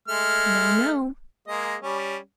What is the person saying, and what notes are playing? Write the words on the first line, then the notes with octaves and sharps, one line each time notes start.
No, no.
G#3 A3 F6
G#3 A#3 D#5
G3 C#4